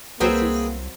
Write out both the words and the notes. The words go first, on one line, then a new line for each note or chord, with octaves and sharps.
this is
C2 F#3 A#3 C4 G#4 B4 E5 G5